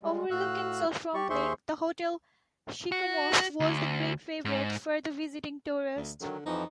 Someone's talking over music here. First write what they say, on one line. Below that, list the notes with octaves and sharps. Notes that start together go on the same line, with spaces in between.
Overlooking Shuswap Lake, the Hotel Sicamous was a great favourite with the visiting tourist.
G3 G#3
A2 F#4 F5 E6 F#6
G3 G4 D5 C#6
D#2 G#4 C5 E5 C6 C#6
F#4
D2
G#2
D2
D3 D#3 F#3
F2 E3 F3 D#4